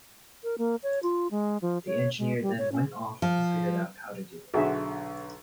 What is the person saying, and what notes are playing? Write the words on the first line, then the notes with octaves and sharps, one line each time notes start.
The engineer then went off and figured out how to do it.
A#4
A#3
C#5
F4
G#3
F3
C#5
G#3
G3
C#5
C#4
F3
B1 D3 F#4 G#4 E5